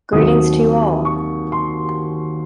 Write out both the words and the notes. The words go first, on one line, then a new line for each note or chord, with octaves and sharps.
Greetings to you all!
D#2 D#3 F#3 C4 D#6
C#6
C6